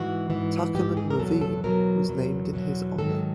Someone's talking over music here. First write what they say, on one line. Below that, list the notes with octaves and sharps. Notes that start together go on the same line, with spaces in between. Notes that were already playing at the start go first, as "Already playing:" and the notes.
Tuckerman Ravine was named in his honor.
Already playing: G#2 E3 F#4
G#2 E3
G#2 E3 G4
G#4
A#4
E2 B2 F#3 A4
A4
E2 B2 F#3 A#4
E2 B2 F#3
E2 B2 F#3
G#2 D#3 F#3 A4